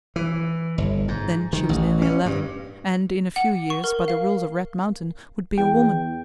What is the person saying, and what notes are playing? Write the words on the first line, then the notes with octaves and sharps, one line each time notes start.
Then she was nearly eleven, and in a few years, by the rules of Red Mountain, would be a woman.
E3
G1
G#2
D#3
A1
C#4
G2
F#5
C#6
A#4
F5
E2 G5